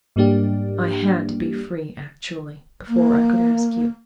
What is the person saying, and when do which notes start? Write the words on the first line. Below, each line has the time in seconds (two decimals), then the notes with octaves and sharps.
I had to be free actually, before I could ask you....
0.16 G#2 G3 A#3 D4 G4
2.88 A#3